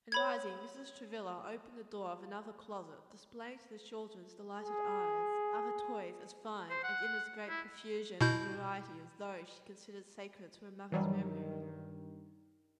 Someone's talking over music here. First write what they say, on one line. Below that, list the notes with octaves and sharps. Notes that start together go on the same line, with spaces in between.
And rising, Mrs. Travilla opened the door of another closet displaying to the children's delighted eyes other toys as fine and in as great profusion and variety as those she considered sacred to her mother's memory.
C#5 B5 G#6
G#4
C5
F#5
E4
B2 E4 G6
G2 D#3 E3 F#3 G3